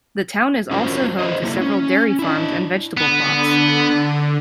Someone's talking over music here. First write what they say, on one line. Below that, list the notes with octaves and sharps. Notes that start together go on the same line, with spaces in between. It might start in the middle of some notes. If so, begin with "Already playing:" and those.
The town is also home to several dairy farms and vegetable plots.
C#4 F4 F#4 A#4 C5
B4 C5 D#5
F#3 A#3 E4
C#4
D4 E4
D3 B3